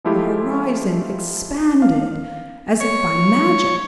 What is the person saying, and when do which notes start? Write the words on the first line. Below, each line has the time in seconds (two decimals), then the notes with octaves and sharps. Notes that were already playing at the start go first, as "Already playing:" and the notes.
The horizon expanded as if by magic.
0.05 F3 G#3 A3 E4 F4 G4
1.82 F5
2.80 C#5